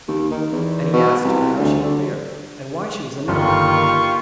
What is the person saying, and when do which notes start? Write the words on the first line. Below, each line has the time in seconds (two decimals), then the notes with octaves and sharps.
And he asked her how she had fared, and why she was a nun.
0.08 D#2
0.31 D#3
0.52 E2
0.93 B2
1.24 C2
1.59 D2
1.83 D3
3.28 G1 D#3 G3 A#3 F4 C#6